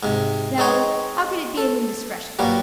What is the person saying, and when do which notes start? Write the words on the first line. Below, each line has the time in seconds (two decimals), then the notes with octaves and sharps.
No, how could it be an indiscretion?...
0.03 G#2 C3
0.58 G#3 C4 D#4 C#5
1.57 A4
2.39 G2 A#2 F#3 G3